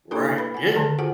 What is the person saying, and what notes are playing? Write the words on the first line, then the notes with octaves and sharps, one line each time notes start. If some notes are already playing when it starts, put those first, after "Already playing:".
Right, yeah,
A#3 D4 E4 G4 A4 A#4
B4 B5
F#5 G#5
D3 D#3 G#4 A4 A5
F4 F#4 G#4 C5 F#5 G#5